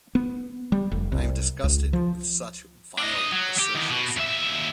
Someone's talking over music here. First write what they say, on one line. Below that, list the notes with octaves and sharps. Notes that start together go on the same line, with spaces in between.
I am disgusted with such vile assertions.
B3
G3
F1
C2
C#2
F3
D4 D#5
F#3
G4
E2 D#3
B2
D#2 E5